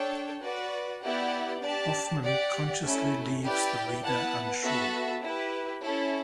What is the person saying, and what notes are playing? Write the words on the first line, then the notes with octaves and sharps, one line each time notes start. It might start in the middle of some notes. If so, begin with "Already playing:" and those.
Hoffman consciously leaves the reader unsure.
Already playing: D4 A4 C#5 G5
F#4 B4 D5
B3 E4 G4 D5 F#5
D4 G4 D5 A5
G4 D5 F#5
A3 C#4 E4
E4 G4 B4 D5 G5
B3 E4 B4 F#5 A5
B3 F#4 A4 E5 A5
E4 G4 B4
C#4 E4 A4 C#5